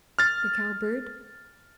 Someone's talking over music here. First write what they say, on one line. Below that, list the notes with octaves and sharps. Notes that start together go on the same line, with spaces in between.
The Cow Bird.
F6 A6